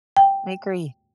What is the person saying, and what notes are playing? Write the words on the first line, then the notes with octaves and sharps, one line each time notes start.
I agree.
G5